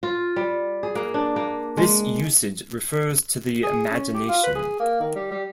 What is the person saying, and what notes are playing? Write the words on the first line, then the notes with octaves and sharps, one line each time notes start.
This usage refers to the imagination.
F4
G3
G#4
A#3
D4
A#3
G#3
G#4
C#4
G4
F4
B4
G#4
A#3
D#3
G3
G3